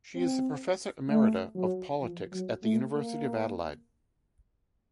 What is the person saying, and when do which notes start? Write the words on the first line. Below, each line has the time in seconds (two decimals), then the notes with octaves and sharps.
She is the Professor Emerita of Politics at the University of Adelaide.
0.16 C4
1.09 A3
1.55 F#3
2.02 F3
2.32 F#3
2.63 A3
2.94 A#3